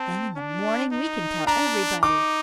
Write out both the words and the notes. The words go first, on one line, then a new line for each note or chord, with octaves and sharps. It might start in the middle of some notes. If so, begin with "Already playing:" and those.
"Then in the morning we can tell everybody."
Already playing: C4 A5
D4
D#4
D4 A#5
D#4 D6